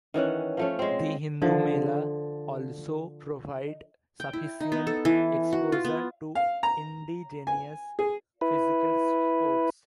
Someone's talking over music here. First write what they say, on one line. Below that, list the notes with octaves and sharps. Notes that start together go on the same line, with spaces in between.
The Hindu "Mela" also provided sufficient exposure to indigenous physical sports.
D#3 E3 C#4 F#5
F3 A3 C#4
G#3 C4
D3 F3
G5
E4
D#4
B3
A4
E3
F#4
F4
B3
F5
A#5
G#5
G#4
E4 B4